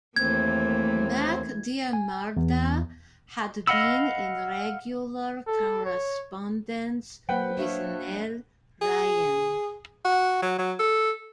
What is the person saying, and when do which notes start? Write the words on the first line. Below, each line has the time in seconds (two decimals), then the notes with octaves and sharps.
Mac Diarmada had been in regular correspondence with Nell Ryan.
0.16 D#2 E3 A3 A#3 C4 G#6
1.93 G#5
2.37 E2
3.67 D#5 F5 F#5 B5 E6
5.47 A4
5.85 C#5
7.29 F#3 A#3 B4 C5 F#5 G5
7.57 D4 C#5 E5 F5
8.81 G#4
10.05 F#4
10.42 F#3
10.59 F#3
10.79 A4